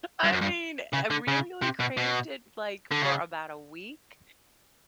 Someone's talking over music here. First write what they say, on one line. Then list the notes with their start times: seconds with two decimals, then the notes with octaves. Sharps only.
I mean, I really only craved it, like, for about a week,
0.24 G2
0.32 F#2
0.41 G2
0.93 C#3
1.11 D3
1.28 C#3
1.62 C3
1.80 B2
1.97 B2
2.91 D3
3.02 C#3